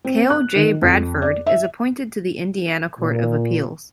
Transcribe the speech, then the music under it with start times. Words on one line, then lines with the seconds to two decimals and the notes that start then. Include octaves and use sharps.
Cale J. Bradford is appointed to the Indiana Court of Appeals.
0.05 C4
0.30 F#6
0.56 D#3
0.82 F2
1.22 D5
1.46 E5
2.99 A#2